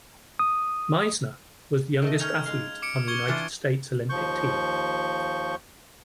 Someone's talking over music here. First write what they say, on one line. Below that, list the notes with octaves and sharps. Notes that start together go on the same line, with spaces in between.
Meissner was the youngest athlete on the United States Olympic team.
D#6
D#3 A3 D#5
C#4 D#4 F6 G#6 F7
G#3 F5
D6 C#7 D7
C#6 G#6 G7
E3 D4 F4
D#2 F3 C#6 G6